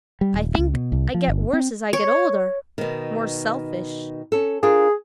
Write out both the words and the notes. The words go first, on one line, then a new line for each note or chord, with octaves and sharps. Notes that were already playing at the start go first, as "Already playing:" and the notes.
I think I get worse as I get older, more selfish.
G3
D#1
C#2
B2
C2
F3
G1
C4
C#5
B2 D#3
C#4 A4
D4 F4 G#4 A#4